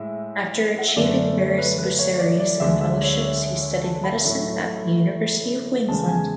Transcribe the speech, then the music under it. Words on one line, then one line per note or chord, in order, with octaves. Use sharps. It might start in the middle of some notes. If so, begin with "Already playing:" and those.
After achieving various bursaries and fellowships he studied medicine at the University of Queensland.
Already playing: A2 G#3 E5
F#5
E5
F#2 D3 A3 D5
D5
C#5
B4
B4
C#5
D5
D5
D2 D3 G#3 E5
E5
C#5
C#5
C#5
C#5
A5
B5
A2 F#3 A3
E2 C#3 G#3 A5
G#5